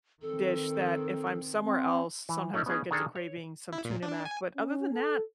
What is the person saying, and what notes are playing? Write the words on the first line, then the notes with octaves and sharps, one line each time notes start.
dish that if I'm somewhere else, sometimes I'll get to craving some Tuna Mac, but other than that,
D#3 C4 A4
C4
E3
A3 C#4 D#4 A#4 D5 E5
B3 C#4 D#4 G#4
D#3 D4 G#4 A4 A#5
C#5
E4
A#2
D4
G#5
C#4
A4